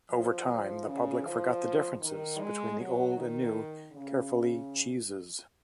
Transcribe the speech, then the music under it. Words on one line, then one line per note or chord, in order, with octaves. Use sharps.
Over time, the public forgot the difference between the old and new Caerphilly cheeses.
F3
F3
C#3
F3
D#3
G#3
F#3
D#3
C#3